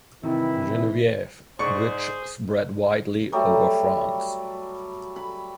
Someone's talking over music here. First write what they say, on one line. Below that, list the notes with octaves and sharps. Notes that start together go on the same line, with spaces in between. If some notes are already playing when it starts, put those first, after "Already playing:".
Genevieve, which spread widely over France.
G2 C3 D#3 E3 E4
G#2 G#4 C5 D5 C#6
F#3 G3 A3
B5